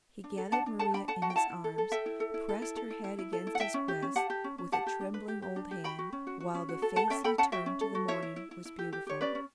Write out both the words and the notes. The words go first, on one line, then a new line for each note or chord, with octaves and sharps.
He gathered Maria in his arms, pressed her head against his breast with a trembling old hand, while the face he turned to the morning was beautiful.
D4
A4
D4 F#5 A5
D4
A4 F#5 A5
D4 G5 B5
A4 F#5 A5
F#4 F#5 A5
G5
E4 F#5 A5
E4
A4
A4
A4 E5 G5
E4
A4
E4
A4
E4
A4
E4
E4
E4
A4
E4
F#5
E4 E5 G5
C#4
G4
C#4
G4 F#5 A5
G4
C#4
C#4
G4 F#5 A5
G4
D4
B4
G4
G4
D4
G4
F#4 G5 B5
F#4
C#4
F#4
F#4
C#4
F#4
A4
A4 F#5 A5
C#4 E5 G5
A4 G5 B5
C#4 F#5 A5
F#4 E5 G5
C#4
A4
F#4
E4 C#5 E5
E4
E4
E4
E4
G4
G4
G4 C#5
C#4 B4 D5
C#4